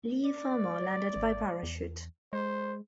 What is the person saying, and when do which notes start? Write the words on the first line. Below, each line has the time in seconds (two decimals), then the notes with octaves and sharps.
Leigh Fermor landed by parachute.
0.25 D5
1.16 G#1
1.63 E2
2.33 G#3 C5